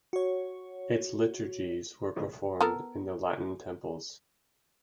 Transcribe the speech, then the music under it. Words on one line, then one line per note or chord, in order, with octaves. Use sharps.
Its liturgies were performed in the Latin temples.
F#4 C#5
B3 A4 A#4